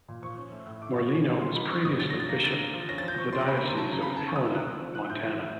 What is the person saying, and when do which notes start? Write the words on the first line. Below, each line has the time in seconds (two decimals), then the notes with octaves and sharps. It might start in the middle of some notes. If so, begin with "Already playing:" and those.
Morlino was previously bishop of the Diocese of Helena, Montana.
0.08 A#2
0.22 F3 C#6
0.38 C#4
0.52 A3
0.67 A2
0.82 A3 D6
0.96 F3 C#6
1.11 C#4
1.26 F3
1.41 G3 C6
1.55 D#4 B5
1.70 C4 C#6
1.85 B2 D#6
2.00 F#3 A6
2.10 A#6
2.14 D3
2.20 A6
2.29 A#3 A#6
2.44 D3 A6
2.58 A#3
2.73 F3
2.89 C#4 A#6
2.98 A6
3.03 F3 G6
3.18 F3 C#6
3.33 C#4 C6
3.47 A#3 B5
3.57 B5
3.63 D3 A#5
3.77 F#3 A5
3.91 C#3 A#5
4.02 B5
4.06 B3 A#5
4.17 A5
4.21 C#3 C#6
4.36 A3 D#6
4.46 E6
4.50 D#4 F#6
4.65 C4
4.80 F3
4.95 F3 F#6
5.09 A2 G6
5.24 A3
5.40 A2